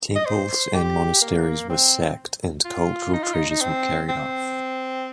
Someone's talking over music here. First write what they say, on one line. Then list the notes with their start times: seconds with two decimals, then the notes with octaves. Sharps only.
Temples and monasteries were sacked and cultural treasures were carried off.
0.15 D#5
0.26 C5
0.74 G4
1.21 A#3
1.69 C4
2.65 F4
3.13 D#4
3.23 F4
3.33 D#4
3.50 D#4
3.61 C4
4.09 C4